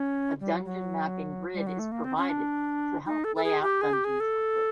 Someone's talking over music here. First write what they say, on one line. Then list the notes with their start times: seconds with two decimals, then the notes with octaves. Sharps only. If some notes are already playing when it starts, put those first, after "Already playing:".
A Dungeon Mapping Grid is provided to help lay out dungeons quickly.
Already playing: C#4
0.40 G3
0.53 F#3
0.65 F#3
1.54 G3
1.67 F#3
1.79 A3
1.92 A#3
2.04 C4
2.17 C#4
2.29 D4
3.06 D#4
3.24 A4
3.36 A4
3.44 G#4
3.62 G4
3.82 G#4
3.93 G4
4.05 G#4
4.20 A4